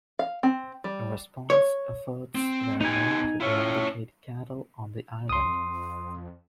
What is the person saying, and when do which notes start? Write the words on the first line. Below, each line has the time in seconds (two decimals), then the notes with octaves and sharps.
In response, efforts were made to eradicate cattle on the island.
0.19 F5
0.43 C4
0.84 G3
1.50 C#5
2.35 C4
2.81 B3 D#4 G4 G#5
3.41 C#4 E4 F4 C#5
5.29 C#2 C6 D#6
5.45 F2